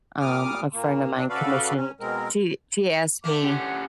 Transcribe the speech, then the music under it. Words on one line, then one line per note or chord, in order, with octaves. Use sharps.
Um, a friend of mine commissioned she she asked me
A#2 G3 D6 D#6 F6
A#2 A#3
C4 D4
C#3 F#4 A4 B4 D5 F5
C#4
B2 G#3 C4 A#4
D3 A3 A#3 D6
C#4 G4 F#5